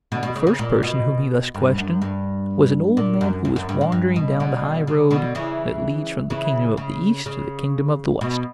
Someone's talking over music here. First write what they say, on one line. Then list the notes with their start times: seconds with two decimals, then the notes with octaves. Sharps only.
The first person whom he thus questioned was an old man who was wandering down the high road that leads from the Kingdom of the East to the Kingdom of the West.
0.12 B2 D3
0.23 B2
0.36 C#3
0.47 C#3
0.59 A#2
0.83 B2
1.54 G2
1.78 F#2
2.01 G2
2.97 A#2
3.21 F#2
3.45 F#2
3.56 F#2
3.69 G2
3.81 A#2
3.92 G2
4.16 B2
4.40 B2 D3
4.87 C#3
5.11 B2 D3
5.35 C#3 E3
6.30 C#3 E3
6.77 C#3
7.26 C#3
8.21 B2